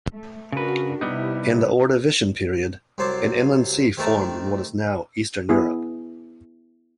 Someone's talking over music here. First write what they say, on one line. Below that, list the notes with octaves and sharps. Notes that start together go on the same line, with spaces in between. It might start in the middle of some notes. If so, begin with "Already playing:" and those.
In the Ordovician period, an inland sea formed in what is now Eastern Europe.
A3
C#3 D4 F#4 A#4 B4
C3 G3 B3 D#4 E4 G4
C2 F#3 C5 A5 D6
C3 D#3 A3 A#4 A5
B3 E4 G#4